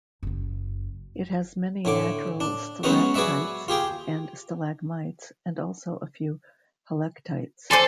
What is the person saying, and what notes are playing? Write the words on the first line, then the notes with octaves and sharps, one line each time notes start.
It has many natural stalactites and stalagmites, and also a few helictites.
F#1 F#2
A2 D3 D6
D4
F#3 G#3 B3 C#4 D#4 F#4
F#4 G#4 B4 D5 E5 F#5
F4 G4 G#4 G5
A4 C5 D5 G#5 C6